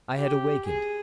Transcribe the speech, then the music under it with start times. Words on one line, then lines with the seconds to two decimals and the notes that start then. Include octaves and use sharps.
I had awakened.
0.18 G4
0.65 G#4